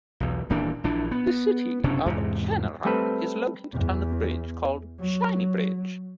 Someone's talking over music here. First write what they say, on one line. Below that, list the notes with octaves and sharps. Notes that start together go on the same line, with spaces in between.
The city of Chenaran is located under the bridge called Shiny Bridge.
B1 E2
D#1 A#2 E3 D4
A#1 E3 D4
B3
F#1 C3 C#4 D4
E2 G#2 C3
G3 A3 C4 A4 B4
E2
F#3